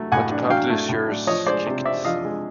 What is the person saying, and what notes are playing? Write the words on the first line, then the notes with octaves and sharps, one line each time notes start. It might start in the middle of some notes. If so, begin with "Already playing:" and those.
But the publishers kicked.
Already playing: F#3 A3
A2 F#5 G#5
D4
F#3 F5 G5
A3
A2
D4
F3 C#5 D#5
G#3 C5 D5
C3
C4 D5 E5
F3 D#5 F5
G#3